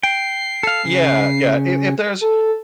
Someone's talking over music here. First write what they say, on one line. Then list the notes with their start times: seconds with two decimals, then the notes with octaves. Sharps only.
Yeah, yeah. If if there's
0.03 G5 C7
0.63 A4 F5
0.85 C#3
2.21 A4